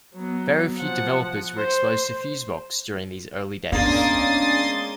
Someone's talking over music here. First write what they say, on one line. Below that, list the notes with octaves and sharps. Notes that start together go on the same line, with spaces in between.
Very few developers were exposed to Fusebox during these early days.
F#3 B3
F3 F#5
C5
G#3 A#3 B3 C#4 D4 C6 D#6 A6